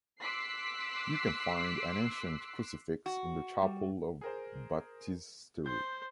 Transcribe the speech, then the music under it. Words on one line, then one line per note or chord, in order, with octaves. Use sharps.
You can find an ancient crucifix in the chapel of baptistery.
C6 D6 E6 F#6 B6 C7
F#4
G3
G#4 A#4 C5
C5 G6